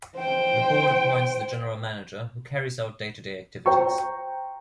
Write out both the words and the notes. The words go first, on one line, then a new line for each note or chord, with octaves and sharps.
The board appoints the general manager, who carries out day-to-day activities.
C5 G5
C5 G5 A#5 C#6